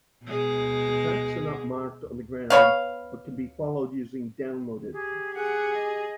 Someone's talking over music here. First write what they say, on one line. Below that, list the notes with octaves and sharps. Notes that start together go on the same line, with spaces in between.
The tracks are not marked on the ground but can be followed using downloaded.
B2 G#3
B3 C#5 F5
G4 G#4
G#4 F#5
D#5